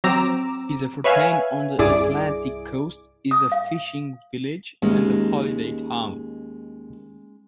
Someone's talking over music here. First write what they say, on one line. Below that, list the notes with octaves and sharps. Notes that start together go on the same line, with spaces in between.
Yzerfontein on the Atlantic coast is a fishing village and holiday town.
F#3 C4 A#5 D6 E6
B4 C#5 E5 F5 G#5
C2 G2 E4 G#4 D5 D6
D#6
F5
D#2 G#3 C#4 D#4